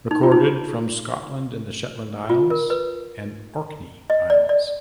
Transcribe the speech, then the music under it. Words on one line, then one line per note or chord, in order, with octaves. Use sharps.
Recorded from Scotland in the Shetland Isles and Orkney Isles.
D#4
F4
D#4
F4
A#4
B4
D#5
D5
D5